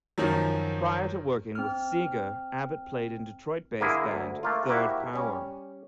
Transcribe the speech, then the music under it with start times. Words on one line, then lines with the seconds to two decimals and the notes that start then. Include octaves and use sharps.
Prior to working with Seger, Abbott played in Detroit-based band Third Power.
0.18 F#2 D#3 F3 F#3
1.55 C4 F6
3.80 D3 A#3 E4 G#4
4.11 D2
4.43 A3 A#3 F4
4.68 A#3 E4 F#4 G4 C5 E5
5.13 G3 C#4